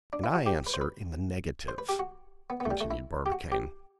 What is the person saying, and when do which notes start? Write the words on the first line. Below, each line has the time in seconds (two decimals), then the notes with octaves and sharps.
"And I answer in the negative," continued Barbicane.
0.13 D4
0.24 E4
0.35 F#4
0.46 G4
0.67 B4
0.74 C5
0.81 B4
1.68 C5
1.78 B4
1.89 G4
1.99 F#4
2.50 B3
2.60 B3
2.65 A3
2.71 G3
2.81 A3
2.91 E4
3.26 G4
3.32 F#4
3.52 G4